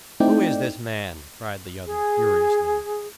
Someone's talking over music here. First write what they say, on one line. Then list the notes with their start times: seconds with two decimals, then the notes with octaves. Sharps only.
"Who is this man?" cried the other furiously.
0.20 A3 C4 D#4 E4 D5 G5
1.85 G#4